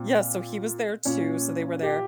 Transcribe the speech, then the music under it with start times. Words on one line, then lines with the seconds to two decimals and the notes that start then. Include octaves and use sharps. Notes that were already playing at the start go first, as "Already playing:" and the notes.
Yes, so he was there too, so they were there.
Already playing: A#2 C4
1.05 A#2 C#4
1.83 G4